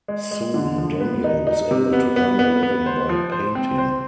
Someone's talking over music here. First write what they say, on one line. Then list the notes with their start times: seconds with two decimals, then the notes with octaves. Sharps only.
Soon Daniel was able to earn a living by painting.
0.08 G#3
0.31 G#3
0.54 D3
0.78 F3
1.00 B3
1.24 D#4
1.47 D#4
1.71 C3
1.93 B3
2.16 B3
2.39 B3
2.63 B3
2.86 C5
3.09 F3
3.32 C5
3.55 C4
3.78 C5